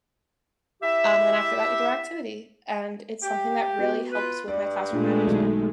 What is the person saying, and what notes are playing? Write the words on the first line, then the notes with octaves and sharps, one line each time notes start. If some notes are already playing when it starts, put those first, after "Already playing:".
um, then after that we do our activity. And, it's something that really helps with my classroom management.
E4 G4 E5
G4
B3 F#4
F4 B4
G2 D5
A#2 G#3 A3 D4
B1 D#3